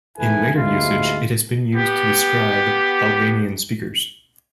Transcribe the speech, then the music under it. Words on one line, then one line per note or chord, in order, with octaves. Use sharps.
In later usage, it has been used to describe Albanian-speakers.
E2 G#2 E4 A4 B4 G#5
G1 D2 G#2 G#3 E4 F4
B3 G4